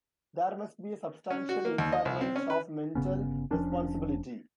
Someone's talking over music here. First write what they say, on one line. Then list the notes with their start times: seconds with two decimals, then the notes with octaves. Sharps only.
There must be a "substantial" impairment of mental responsibility.
1.30 C#4
1.49 F#4
1.65 A#3
1.78 D#2
1.92 D#5
2.05 C2
2.21 C4
2.36 C#4
2.50 B4
2.95 G1 C#3 B3 C#4
3.51 F1 F3 C#4 D4